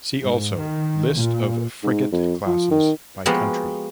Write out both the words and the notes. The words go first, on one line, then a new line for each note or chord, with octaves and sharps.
See also List of frigate classes by country.
G#2
D#3
A#2
G#2
F2
F3
D#3
F3 G#3 A#3 B3 F#4 G4